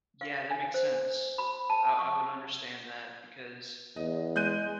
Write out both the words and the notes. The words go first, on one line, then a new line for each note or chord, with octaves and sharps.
Yeah, that makes sense. I I would understand that because,
F5
G#5
C5
B5
A5
C#6
E2 D#5
G#3 F#6 G6 D#7